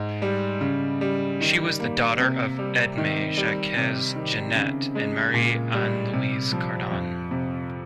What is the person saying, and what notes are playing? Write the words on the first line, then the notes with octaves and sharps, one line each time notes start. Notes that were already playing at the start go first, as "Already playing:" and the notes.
She was the daughter of Edme-Jacques Genet and Marie-Anne-Louise Cardon.
Already playing: G#2
G3
C#3
G3
D#3
A#3
C3
G3
D#3
G3
C3
D#3
C#3
G#3
A#2
G3
C3
F3
F2
C3